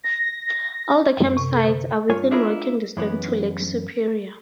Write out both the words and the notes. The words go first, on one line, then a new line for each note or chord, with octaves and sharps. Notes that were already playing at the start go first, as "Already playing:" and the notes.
All the campsites are within walking distance to Lake Superior.
A#6
F#2
C3
A4
D3
G2 F4 C#5 G#5
D4 E4 F4 G#4 A#4
F#2 E3 B3